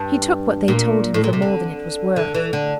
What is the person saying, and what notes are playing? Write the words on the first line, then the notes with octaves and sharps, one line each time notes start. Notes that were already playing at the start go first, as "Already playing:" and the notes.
He took what they told him for more than it was worth.
Already playing: G2
A#2
A2
A#2
C3
D3
D3
E3
D3